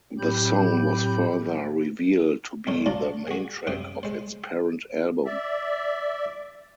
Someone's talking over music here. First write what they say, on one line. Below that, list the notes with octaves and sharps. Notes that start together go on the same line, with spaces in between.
The song was further revealed to be the "main track" of its parent album.
A2 F#3 C4 G4 B5 G6
B1 D#4 A#4 C#5 C6
C#4 D4 F4 A#5
F#4 G#4
F#2 C3 G5 D#6
G#3 C5
D5 E5